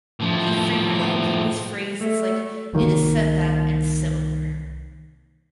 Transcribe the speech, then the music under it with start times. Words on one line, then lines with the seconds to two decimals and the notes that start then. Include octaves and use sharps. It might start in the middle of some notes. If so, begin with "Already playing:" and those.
He frequently employs phrases like "it is said that" and similar.
0.20 A2 F3
2.01 A3
2.73 C2 D#3 F3 A#3